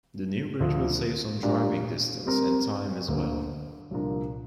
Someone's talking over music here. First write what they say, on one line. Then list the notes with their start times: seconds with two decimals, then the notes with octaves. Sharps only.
The new bridge will save some driving distance and time as well.
0.60 D2 D3 F3 D4 F4
1.43 A#2 G3 D4 A#4 D5
2.25 G3 C4 A#4
3.08 D2 D3 A#3
3.91 C2 A#2 F3 D4 A#4